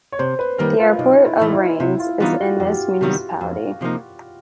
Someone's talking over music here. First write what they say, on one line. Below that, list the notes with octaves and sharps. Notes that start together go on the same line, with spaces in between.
The airport of Rennes is in this municipality.
C#5
C3 C5
B4
D#3 G3 A#3 A#4
F4
B1 D#4
E4
A2 E3 A3
E4
C3 E4
F4
E3 G3 B3 D#4 F4
F#4
F#4
F2 G4
C3 D#3 G3 B3
F2
C3 F3 A#3 D#4